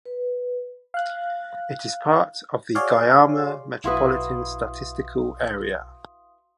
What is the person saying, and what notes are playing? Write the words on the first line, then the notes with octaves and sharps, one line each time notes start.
It is part of the Guayama Metropolitan Statistical Area.
B4
F5 F#6
F#4 G#4 C#5 D5 F5 C6
B1 E4 F#4 B4 F5 C6 D#6